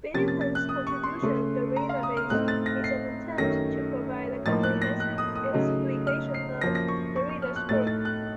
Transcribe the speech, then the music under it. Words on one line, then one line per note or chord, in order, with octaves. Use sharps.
Bennington's contribution, "Derridabase", is an attempt to provide a comprehensive explication of Derrida's work.
C3 F3 A#3 C#4 A6
A6
A6
F#6
D#6
C#6
C6
C#3 A3 C#4
A#5
F5
D#6
F6
A2 A3 C4 D#4 F#6
A6
A#6
C7
F#2 D#3 A3 C#4 A#6
A2 F3 A#3 D#4 A6
F#6
A#6
F#6
D#6
D#6
C#3 F#3 A3 D#4
F6
C7
F#2 F3 A#3 A#6
A#6
C#6
C#6
C#6
F6
F#6
A2 A3 D#4 A6
A6
F#6